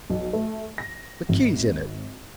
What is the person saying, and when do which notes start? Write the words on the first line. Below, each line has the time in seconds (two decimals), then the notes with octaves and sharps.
"The key's in it."
0.10 B1
0.33 A3
0.78 A#6
1.29 G#1